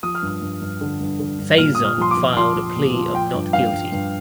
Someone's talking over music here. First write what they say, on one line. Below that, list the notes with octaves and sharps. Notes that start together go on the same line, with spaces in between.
Faizon filed a plea of not guilty.
F3 D#6
F6
G2 D#6
G2
G2
D3
G2
D3
G2
A#2 F6
A#2 D#6
F6
F3 C6
D6
F3
F3 C6
F3
A#2
F3
F3 G5
G2
G2 F5
G2
G2